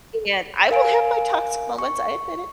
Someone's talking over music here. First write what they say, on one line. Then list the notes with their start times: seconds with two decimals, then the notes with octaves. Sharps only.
And I will have my toxic moments, I admit it.
0.71 A#4 F5 G#5 D7
1.79 C#6